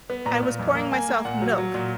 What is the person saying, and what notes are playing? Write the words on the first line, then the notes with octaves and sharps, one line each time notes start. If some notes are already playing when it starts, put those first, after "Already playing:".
I was pouring myself milk,
B3
A#2 A#5
A#2
F2
A#3
A#3 G#5
A#3
A#2 F#5
F#3
F#3
A#2